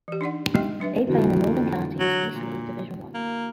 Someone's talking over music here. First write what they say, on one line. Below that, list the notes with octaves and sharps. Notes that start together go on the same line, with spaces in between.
They play in the Northern Counties East League Division One.
E3 G4
D4 D#4 D5 F#5
G3 G#3 D#4 G4 D#5 G5
F#3 D4 B4 E5
F2 D3 E3 F#4
F#3
A#2
A#3